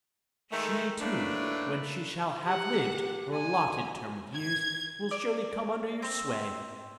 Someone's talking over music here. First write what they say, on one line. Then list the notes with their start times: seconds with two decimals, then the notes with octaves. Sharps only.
She too, when she shall have lived her allotted term of years, will surely come under your sway.
0.51 D#3 G#3 A3
1.01 A2 A3 A#3 D4 B4
2.46 G4 F#5
3.33 G#5
4.35 G#6
5.11 D5
6.02 C4